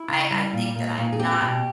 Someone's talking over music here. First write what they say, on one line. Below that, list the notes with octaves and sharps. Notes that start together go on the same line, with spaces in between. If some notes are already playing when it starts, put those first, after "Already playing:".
I I think that I'm not
Already playing: E4
C#3
G3
A#2
A#2
A#2
G#4
C4 G4
B2